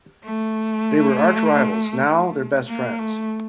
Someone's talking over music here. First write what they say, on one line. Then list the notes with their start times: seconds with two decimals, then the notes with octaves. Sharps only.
They were arch rivals, now they're best friends.
0.24 A3
2.68 A#3
2.98 A3